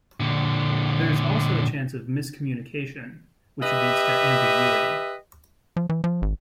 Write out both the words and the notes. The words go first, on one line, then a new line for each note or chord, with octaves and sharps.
There is also a chance of miscommunication which leads to ambiguity.
A#2 D3
G4 B4 D#5 E5
F3
E3
F3
G#1